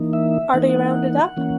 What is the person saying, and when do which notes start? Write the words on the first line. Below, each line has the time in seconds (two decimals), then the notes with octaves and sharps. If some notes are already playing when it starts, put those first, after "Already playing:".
Are they rounded up?
Already playing: E3 A#3 D#4
0.13 E5
0.54 E3 A#3 D#4 F#5
0.70 F#5
1.37 E3 A#3 C#4